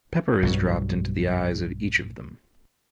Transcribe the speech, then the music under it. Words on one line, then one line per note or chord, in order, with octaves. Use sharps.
Pepper is dropped into the eyes of each of them.
B1 G2 F#3